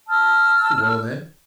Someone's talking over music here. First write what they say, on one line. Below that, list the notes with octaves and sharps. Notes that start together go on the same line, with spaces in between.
Well then?
A5 E6 F6